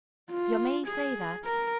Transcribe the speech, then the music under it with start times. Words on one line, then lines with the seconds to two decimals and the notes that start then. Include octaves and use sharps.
'Yo' may say that.
0.32 F4
0.87 G#4
1.45 A#4